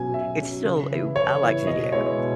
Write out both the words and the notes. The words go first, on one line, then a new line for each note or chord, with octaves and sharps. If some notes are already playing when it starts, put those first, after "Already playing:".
it's still u I like San Diego.
Already playing: B2 F#3 C#4 G#5
B2 E5
F#3 C#4
C#3
E3 B3 E4
C#3 C#5
E3 B3 E4
B2 D#5
G#3 B3 E4 C#5
B2